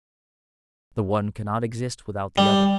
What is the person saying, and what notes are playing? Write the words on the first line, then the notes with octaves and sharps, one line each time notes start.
The one cannot exist without the other.
G3